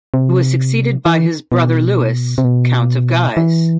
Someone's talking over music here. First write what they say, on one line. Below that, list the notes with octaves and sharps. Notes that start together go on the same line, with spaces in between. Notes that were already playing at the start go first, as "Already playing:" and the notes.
He was succeeded by his brother Louis, Count of Guise.
C3
E3
B2
C3
B2
E3